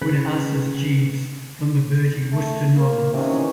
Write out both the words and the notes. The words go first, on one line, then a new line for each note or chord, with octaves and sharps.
Wodehouse's Jeeves from the Bertie Wooster novels.
C#3 B4 B5
A3
A#3
C3 D#3 E3 C#4